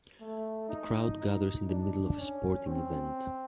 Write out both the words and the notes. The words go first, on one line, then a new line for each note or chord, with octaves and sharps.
A crowd gathers in the middle of a sporting event.
A3
D#4
D#4
D4
C#4
C4